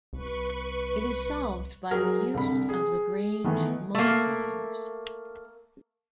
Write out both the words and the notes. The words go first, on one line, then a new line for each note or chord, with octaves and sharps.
It is solved by the use of Lagrange multipliers.
C2 B4 C#6
F#3 F#4 G#4 A#4
C2 D3 B5
G#4
D#3 E3 A3 B3
A3 A#3